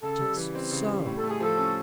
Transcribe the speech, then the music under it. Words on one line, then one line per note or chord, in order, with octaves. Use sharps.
"Just so."
C#3 A4
G3
E3
C4
C#3
G3
A2
A4
A3
G#4
F3 A4
C#4